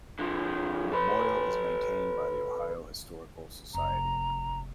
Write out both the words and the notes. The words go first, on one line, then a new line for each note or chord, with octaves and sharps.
The memorial is maintained by the Ohio Historical Society.
D3 F3
A4 B4
F1 A#5